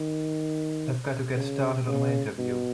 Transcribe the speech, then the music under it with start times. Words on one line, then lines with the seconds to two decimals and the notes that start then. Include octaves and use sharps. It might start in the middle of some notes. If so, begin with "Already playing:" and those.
I've got to get started on my interview.
Already playing: D#3
1.37 C#3
1.87 C#3
2.38 B2